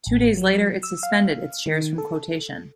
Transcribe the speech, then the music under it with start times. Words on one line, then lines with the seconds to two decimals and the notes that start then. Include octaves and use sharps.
Two days later, it suspended its shares from quotation.
0.06 A1
0.37 F#3
0.83 E6
1.03 F5
1.66 D#3
1.98 A4